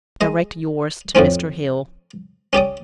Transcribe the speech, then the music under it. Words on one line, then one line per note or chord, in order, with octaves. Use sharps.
Direct yours to Mr. Hill.
G#3 D#5
F2 A2 F3 C4 C#4
C#4 G4 D5 D#6